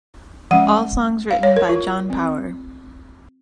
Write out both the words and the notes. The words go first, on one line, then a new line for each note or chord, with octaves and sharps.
All songs written by John Power.
F3 G#3 C#4 F#5
F5
C#5
A#4
F4
F3 C4